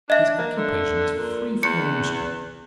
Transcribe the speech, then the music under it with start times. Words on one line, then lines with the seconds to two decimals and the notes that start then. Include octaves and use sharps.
His occupation is free from all restraint.
0.10 D4 D#5 E5
0.38 A#3
0.56 D3
1.16 A#2
1.63 E2 C#7